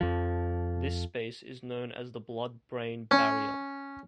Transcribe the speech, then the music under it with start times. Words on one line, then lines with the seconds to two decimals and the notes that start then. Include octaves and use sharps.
This space is known as the blood-brain barrier.
0.01 F2 F3
3.11 C#4